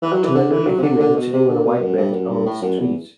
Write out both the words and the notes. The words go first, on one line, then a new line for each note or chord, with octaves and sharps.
Two elderly females sitting on a white bench amongst trees.
E3
F#3
E3
D3
E3
F#3
C3
D3
D3
B2
C3
D3
B2
F#2
G2
F#2
G2
A2
F#2
E2